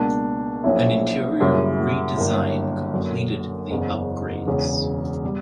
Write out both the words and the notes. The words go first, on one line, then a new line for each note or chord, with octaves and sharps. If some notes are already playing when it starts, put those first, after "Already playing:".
An interior redesign completed the upgrades.
Already playing: C#2 B2 A#3 D4
A#1 A#2 F#3 C#4 E4
F#2 C#3 G3 A#3 E4
G1 G2 F#3 A#3 E4
F#2 D3 A#3
F#1 E2 C#3
E1 E2 C#3
B2 G3